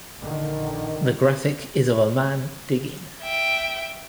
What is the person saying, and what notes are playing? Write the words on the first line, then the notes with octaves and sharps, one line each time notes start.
The graphic is of a man digging.
A#1 D3 D#3
E5 G5